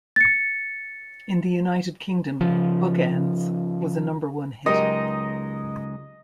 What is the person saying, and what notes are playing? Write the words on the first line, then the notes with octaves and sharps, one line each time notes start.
In the United Kingdom, "Bookends" was a number one hit.
A6 C#7
C#3 F3
C#2 F#3 G#3 D#4 G4 A#4 D#5